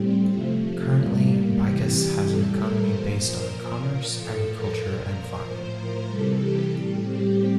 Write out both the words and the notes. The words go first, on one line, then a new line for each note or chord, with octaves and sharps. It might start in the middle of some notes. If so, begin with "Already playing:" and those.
Currently, Bicas has an economy based on commerce, agriculture and farming.
Already playing: A2 G3 C4
C3 F3 A3
A3
A2 G3 A#3
C3 E3 G3 G4
A2 E3 G3 A4
A#4
A#2 F3 C5
A#4
A#2 F3
A2 F3 A4
A#4
A#2 F3 A#4
A#4
A2 F3 C5
A#4
C3 E3 G3 A4
G4
A2 G3
C4